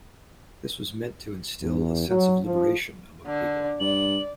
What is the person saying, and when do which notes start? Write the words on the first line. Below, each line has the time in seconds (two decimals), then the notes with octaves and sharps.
This was meant to instill a sense of Liberation among people.
1.61 E2
2.08 F#3
2.44 F3
3.27 D3
3.80 G2 D5 F#7